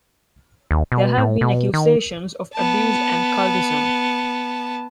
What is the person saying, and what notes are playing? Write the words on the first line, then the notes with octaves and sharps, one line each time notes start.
There have been accusations of abuse and cultism.
D#2
B2
A2
B2
D#3
B3 A5